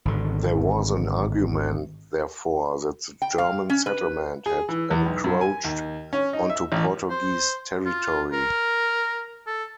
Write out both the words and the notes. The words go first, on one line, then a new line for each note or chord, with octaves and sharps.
There was an argument, therefore, that the German settlement had encroached onto Portuguese territory.
G#1 D3
G5
F5
C#4
B4
G#4
E3
E2
B1
F#2
G#5
D#2
C#4
D#4
E5
A1
C5
F4
A#4
A4